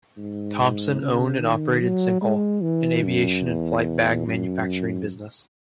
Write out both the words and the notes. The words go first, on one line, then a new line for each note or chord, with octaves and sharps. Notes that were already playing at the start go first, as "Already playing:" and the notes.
Thompson owned and operated Cencal, an aviation and flight bag manufacturing business.
G#2
C#3
D#3
F#3
G#3
E3
F#2
E2
F#2